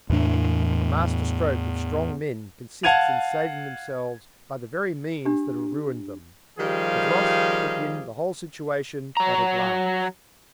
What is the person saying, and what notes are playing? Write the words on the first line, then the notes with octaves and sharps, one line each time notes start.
The master-stroke of strong men consists in saving themselves by the very means that have ruined them; Gavroche took in the whole situation at a glance.
E2 A2 E3 D4
F5 F#5 A5 G#6 D#7 F7
D4 G4
D#3 F3 G3 G4 G#4 F5
F#3 A#5